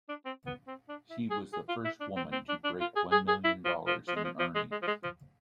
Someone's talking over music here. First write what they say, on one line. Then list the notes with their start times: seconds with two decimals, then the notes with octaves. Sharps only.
She was the first woman to break one million dollars in earnings.
0.09 D4
0.25 C4
0.46 B3
0.67 C4
0.89 D4
1.10 E4
1.31 G#4
1.53 G#4
1.69 F4
1.85 E4
2.01 D4
2.16 C4
2.32 C4
2.49 D4
2.64 D4
2.81 F4
2.96 G#4
3.12 G#4
3.28 G#4
3.44 E4
3.65 F3
3.87 F3
4.08 F3
4.16 G#3
4.24 F3
4.39 F3
4.55 G#3
4.72 G#3
4.83 F3
4.87 G#3
5.04 F3